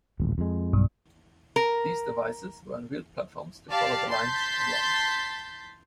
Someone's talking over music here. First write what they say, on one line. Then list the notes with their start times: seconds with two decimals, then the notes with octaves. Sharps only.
These devices were on wheeled platforms to follow the line's advance.
0.20 D#1 A1
0.38 F2 G#3
0.73 B1 G2
1.56 A#4
3.71 G4 D5 F5 A5
4.11 A5 C6 G6 A6 B6